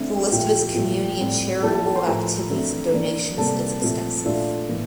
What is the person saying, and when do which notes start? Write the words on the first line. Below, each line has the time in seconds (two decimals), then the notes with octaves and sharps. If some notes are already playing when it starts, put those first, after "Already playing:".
The list of his community and charitable activities and donations is extensive.
Already playing: D3 A3 C4 E4
0.31 A#2 F3 A3 E4 G4 G5
0.75 A#2 F3 A3
1.19 A2 G3 C4
1.62 F3 A#3 E4 A4 A5
1.73 A4 A5
1.84 A4 A5
1.96 C5 C6
2.06 A2 F3 A3 A#4 A#5
2.50 D3 A3 C4
2.93 E3 A#3 D4
3.37 C3 G3 A#3 A4 A5
3.81 A#2 F3 A3 C4
4.25 A#2 A3 D4 F4
4.69 A2 E3 A#3